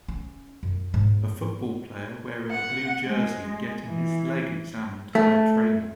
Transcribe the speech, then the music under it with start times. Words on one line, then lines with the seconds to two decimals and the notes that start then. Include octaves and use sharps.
A football player wearing a blue jersey getting his leg examined by a trainer.
0.08 C#4
0.63 F#2
0.93 G#2 B3
2.50 F#5
3.05 G#3
3.84 E3
5.15 A3